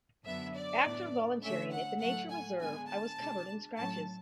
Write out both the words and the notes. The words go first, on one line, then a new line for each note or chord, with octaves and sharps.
After volunteering at the nature reserve I was covered in scratches.
F#2 D3 F#3 B3 D4 E5
D5
A2 E3 B3 D4
D3 A3 C#4 E5
F#5
A2 F#3 A3 F#5
G#5
D3 G#3 B3 D4 G#5
A5
B2 G#3 D4
A2 F#3 C#4 A5